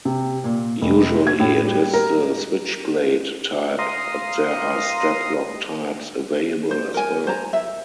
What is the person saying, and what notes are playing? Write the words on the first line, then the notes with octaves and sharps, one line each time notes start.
Usually it is the switchblade type but there are step-lock types available as well.
C3
A#2
F1
G#6
A2
G3
A#4
F5 A#5 C6 D#6
C5
A#4 G#5
C5 G#5 A#5
E5